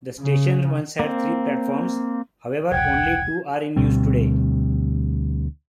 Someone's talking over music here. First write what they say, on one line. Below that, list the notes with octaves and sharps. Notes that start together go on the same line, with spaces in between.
The station once had three platforms, however only two are in use today.
C#3
A#3 C4
E1 C2 F#5 G5 G#6
D2 B2 G3 C4